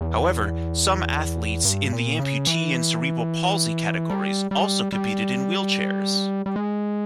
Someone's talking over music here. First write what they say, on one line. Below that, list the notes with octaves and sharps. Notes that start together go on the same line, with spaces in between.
However some athletes in the amputee and cerebral palsy categories also competed in wheelchairs.
E2
G2
A#2
C#3
E3
G3
G3
G3
G3
G#3